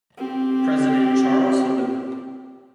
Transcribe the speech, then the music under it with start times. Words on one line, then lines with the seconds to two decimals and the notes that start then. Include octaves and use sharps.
President Charles Helou.
0.18 C4 G4